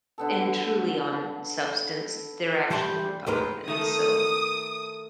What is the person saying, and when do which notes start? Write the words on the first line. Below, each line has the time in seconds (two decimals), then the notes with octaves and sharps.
And truly on substance, they're actually Republicans. So
0.18 D3 B3 A4
2.70 E3 G3 D5 A5 C6
3.27 D#2 G#2 D#3 G#3 B4 A#5
3.68 D#3 A3 A4 D#6